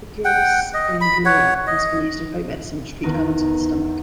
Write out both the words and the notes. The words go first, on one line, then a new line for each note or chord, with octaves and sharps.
"Cucumis anguria" has been used in folk medicine to treat ailments of the stomach.
F#5 G5
D#5
B5
C#5 F#5
D#5
E2 D#3 B3 D#4